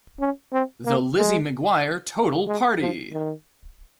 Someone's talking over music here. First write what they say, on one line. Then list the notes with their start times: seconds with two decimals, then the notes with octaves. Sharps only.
The Lizzie McGuire Total Party!
0.20 C#4
0.53 C4
0.85 A#3
1.17 G#3
2.47 G#3
2.80 F3
3.12 D#3